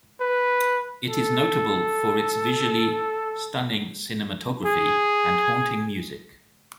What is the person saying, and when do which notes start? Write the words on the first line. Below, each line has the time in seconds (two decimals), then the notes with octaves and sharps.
It is notable for its "visually stunning cinematography and haunting music".
0.20 B4
1.09 A4
4.66 G#4